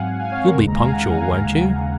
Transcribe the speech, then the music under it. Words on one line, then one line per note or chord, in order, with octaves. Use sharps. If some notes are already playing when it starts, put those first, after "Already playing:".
"You'll be punctual, won't you?"
Already playing: G#2 F#3 C4 F5 F#5 G#5
F5 G#5
C#5 F5
A#4 C#5
D#2 C#3 G#3 C5
A#5
F5 G#5
F#5 A#5
F5 G#5
A#5
F5 G#5